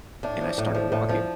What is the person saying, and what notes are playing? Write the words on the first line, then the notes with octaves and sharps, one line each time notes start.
and I started walking.
A2 D4
F3
A2
F3
A2
F3